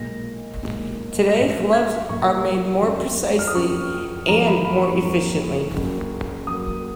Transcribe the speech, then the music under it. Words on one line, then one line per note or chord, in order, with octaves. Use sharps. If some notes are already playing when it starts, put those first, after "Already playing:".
Today, gloves are made more precisely and more efficiently.
Already playing: B1 A#2 G#3 A#6
B1 A#2 G#3
A#6
B1 A#2 F#3 A#3 B6
G#6
B1 A#2 F#3 A#3 C#6
F#1 F2 C#3 F#3 A#3
F6
D#6
F#1 F2 C#3 F#3 A#3 C#6
F2 F3 A#3 A#5
B5
B5
B5
C#6
F2 F3 A#3
F#1 F#2 C#3 F#3 A#3
F#1 F#2 C#3 F#3 A#3 D#6